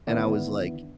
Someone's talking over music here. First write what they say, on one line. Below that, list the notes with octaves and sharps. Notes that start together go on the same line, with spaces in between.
And I was like
D3 D#3 B3 D4 E4